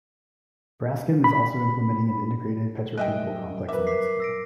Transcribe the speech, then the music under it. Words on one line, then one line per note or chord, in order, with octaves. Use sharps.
Braskem is also implementing an integrated petrochemical complex in Mexico.
B5
F#2 G3 D#5 E5 G5 F#6
A#4 B4 E5 D6
D6 B6 C7
E6 A#6 D7